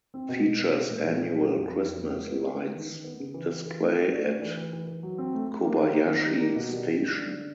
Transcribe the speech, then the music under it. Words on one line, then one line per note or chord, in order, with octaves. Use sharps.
Features annual Christmas Lights Display at Kobayashi Station.
C4
B2
B2
B2
G#3
A#2
F3
A#2
F#3
F2
F#3
F2
B3
G#3
B3
G#3
B3
D#3
D#3
B3
C#3
E3
E3
E3
A3
F#4
D4
A3
E3
E3
E3
E3
F#3
C4
A3
A3
A#3
D#3
A#3
D#3
G3
A#3
B2
G3
D3
G2
D3